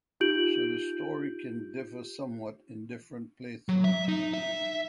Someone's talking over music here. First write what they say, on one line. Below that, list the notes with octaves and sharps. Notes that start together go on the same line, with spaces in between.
So the story can differ somewhat in different playthroughs.
D#4 F4 G4 G6 D7 F#7
F#3
E5
D#4
E5